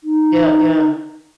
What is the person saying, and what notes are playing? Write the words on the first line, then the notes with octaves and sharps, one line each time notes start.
Yeah, yeah.
D#4